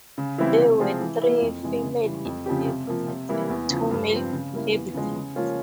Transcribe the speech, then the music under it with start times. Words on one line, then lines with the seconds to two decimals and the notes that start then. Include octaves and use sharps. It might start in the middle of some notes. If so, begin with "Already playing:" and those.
There were three female inhabitants and two male inhabitants.
0.18 C#3
0.38 E3 G3 C4 E4
0.60 C3
0.80 F3 C4 F4 G#4
1.01 E3
1.21 A#3 E4
1.42 F2
1.63 C3 E3 G#3
1.84 C#3
2.04 E3 G3
2.25 F2
2.46 C#3 F3 C4 G4
2.67 C3
2.87 F3 A#3
3.08 C3
3.29 E3 G3 A#3 E4
3.50 E2
3.70 C#3 F3
3.91 G2
4.11 F3 C4
4.32 C#3
4.53 G3 A#3 E4
4.74 E2
4.94 C#3 F3 G#3
5.15 C#3
5.36 F3 A#3 C#4 F4